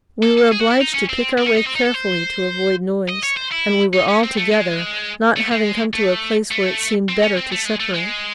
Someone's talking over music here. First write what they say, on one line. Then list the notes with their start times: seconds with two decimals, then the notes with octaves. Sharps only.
We were obliged to pick our way carefully to avoid noise, and we were all together, not having come to a place where it seemed better to separate.
0.23 A4
0.38 A4
0.52 G#4
0.61 F#4
0.71 E4
0.81 D#4
0.94 C#4
1.09 C4
1.38 C4
1.46 C#4
1.57 D#4
1.66 C4
1.76 D#4
1.85 A4
1.94 C5
3.09 D#5
3.23 C#5
3.37 C5
3.52 E4
3.94 D#4
4.08 C#4
4.23 C4
4.37 A3
4.52 G#3
5.36 A3
5.51 G#3
5.93 A3
6.51 A3
7.09 C4
7.22 C#4
7.37 C4
7.52 A3
7.65 G#3
7.80 A3
7.94 G#3